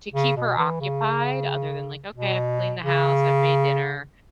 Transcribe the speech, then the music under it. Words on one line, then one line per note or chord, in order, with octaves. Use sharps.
to keep her occupied other than like, "Okay, I've cleaned the house. I've made dinner"
C#3
B2
E3
C#3
B2
C#3